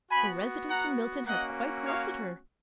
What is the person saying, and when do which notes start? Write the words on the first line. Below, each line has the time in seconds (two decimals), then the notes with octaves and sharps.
Her residence in Milton has quite corrupted her.
0.11 B3 F#4 G#5 B5
0.69 F#5 A#5
1.27 A#3 C#4 F#4 D#5 F#5
1.84 C#5 F5